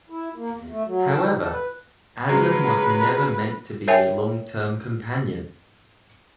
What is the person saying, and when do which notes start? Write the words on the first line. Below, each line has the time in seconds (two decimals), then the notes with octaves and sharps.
However, Adam was never meant to be a long-term companion.
0.10 E4
0.36 A#3
0.57 E2
0.70 A3
0.86 F#3
1.09 A4
1.22 D#3
1.37 A4
1.51 B4
2.29 C#3 F#3 G#3 B4
3.88 A#4 C#5 E5 G5 G#5